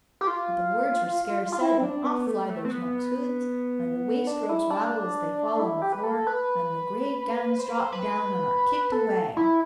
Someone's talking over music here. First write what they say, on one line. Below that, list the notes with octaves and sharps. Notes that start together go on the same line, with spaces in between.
But the words were scarce said, when off fly those monks' hoods, and the waist-ropes rattle as they fall on the floor, and the gray gowns drop down and are kicked away.
G4
F4
F4
E4
C4
D4
B3
A3
A3
C4
B3
D4
E4
D4
E4
G4
B4
A4
B4
C5
B4
C5
B4
A4
E4